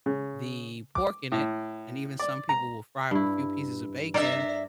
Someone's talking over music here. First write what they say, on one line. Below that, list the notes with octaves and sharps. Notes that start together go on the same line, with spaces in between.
the pork in it, and even some people will fry up a few pieces of bacon,
C#3
D6
A2
D5
A#5
G2 E4
D4 A#4 D5 E5